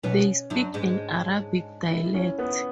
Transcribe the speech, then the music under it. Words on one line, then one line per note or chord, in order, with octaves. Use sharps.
They speak an Arabic dialect.
B2 B3 C#4
F#2 F#3 D4
G#2 G#3
E4
C#4
B3